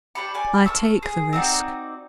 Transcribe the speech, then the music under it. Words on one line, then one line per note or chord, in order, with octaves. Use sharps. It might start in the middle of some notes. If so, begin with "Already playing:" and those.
'I take the risk.
D4 G4 B5 C#6
D5 G#5
A#4 A5 C#6 E6
G#4
C4 D#4 F#4 D5